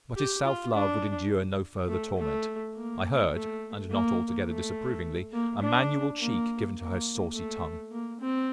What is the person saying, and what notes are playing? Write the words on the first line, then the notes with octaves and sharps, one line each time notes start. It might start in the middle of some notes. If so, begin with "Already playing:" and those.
But his self-love would endure no further torment: I heard, and not altogether disapprovingly, a manual check given to her saucy tongue.
G4
F4
D4
A3
A3
A#3
A3
A#3
A3
A#3
D4
A#3
A#3
A3
A#3
C4